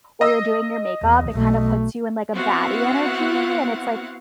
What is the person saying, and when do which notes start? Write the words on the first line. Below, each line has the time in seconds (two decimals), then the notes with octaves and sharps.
or you're doing your makeup, it kinda puts you in like a baddie energy. And it's, like
0.21 D#5 E6
1.02 E2
1.31 B1 A3
2.34 B3 C4 E4 F#4 F5 F#5